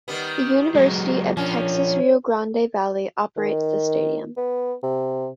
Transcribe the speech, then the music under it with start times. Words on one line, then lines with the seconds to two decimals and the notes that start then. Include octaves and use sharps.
The University of Texas Rio Grande Valley operates the stadium.
0.08 D#3 G3 B3
0.75 F#3 G#3
1.37 F3 C#4 D4
3.37 D#3
4.37 B3
4.83 C3